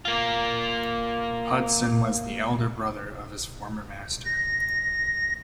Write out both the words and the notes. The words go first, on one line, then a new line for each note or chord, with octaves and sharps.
Hudson was the elder brother of his former master.
A#3 F4
A#6